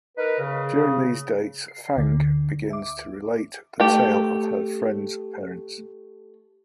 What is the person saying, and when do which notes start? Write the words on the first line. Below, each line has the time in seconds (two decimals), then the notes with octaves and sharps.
During these dates, Fang begins to relate the tale of her friend's parents.
0.17 D#4 A#4 B4
0.39 C#3
1.68 C7
1.97 D2 D3
2.70 E5 D6
3.80 A3 G4